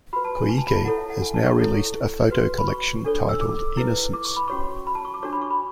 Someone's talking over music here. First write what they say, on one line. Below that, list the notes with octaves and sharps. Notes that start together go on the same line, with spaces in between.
Koike has now released a photo collection titled Innocence.
F#4 B4 B5
A5
G#5
G#5
A5
B5
A5
E4 A4 C#5 F#5
E5
F#5
G#5
A5
C#6
E4 A4 C#5
F#4 B4
B5
C#6
D4 A4 C#5
E6
D6
E4 B4
D6
C#6
B5
C#4 F#4 C#5 C#6
B5
A5
C#6
D6
D4 F#4 C#5 C#6
B5
C#6
B5